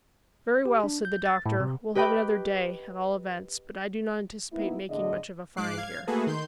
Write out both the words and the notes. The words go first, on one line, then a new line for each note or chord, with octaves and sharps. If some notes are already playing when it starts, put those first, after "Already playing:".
"Very well," said the doctor; "we'll have another day, at all events; but I do not anticipate making much of a find here."
G4
D4
G6
A6
A2
C3
G4 B4 D#5 G5 B5 D6
A#3 B3 D#4 E4
E2 A2 D3 G#4 D#5
G#2 D6 F#6 C7
F5 G#6
A3 A#3 F#4 G#4 A4 B4
D#3 C6 G6